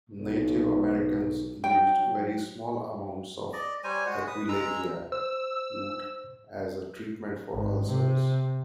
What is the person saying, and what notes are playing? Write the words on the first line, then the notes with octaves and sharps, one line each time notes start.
Native Americans used very small amounts of "Aquilegia" root as a treatment for ulcers.
B1
F#3 G5
D5 D#5
G3 C5 C#5 G#5
G#3 F#4
B4 D#6
G#3 A#5 E6
C5 E6
G#1
C3